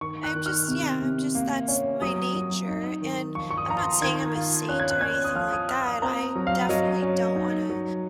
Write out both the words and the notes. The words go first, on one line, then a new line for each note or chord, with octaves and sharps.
I'm just yeah, I'm just that's my nature, and I'm not saying I'm a saint or anything like that. I definitely don't wanna
D#3 C#6
F#6
D#3
F6
C3
C3
A#3
C#4
F#3 D#6
F#3
D#4
D#3
F3 C#6
C#6
D#6
F3 A#5
C6
D#3 G#6
F4
C#4 F#6
G#6
F#6
C#4 G#6
F#6
D#6
F3 F6
D#6
F3 F6
F6
D#6
C4 A#5
F#3
F5
F#3 D#5
C#4
D#4
F#3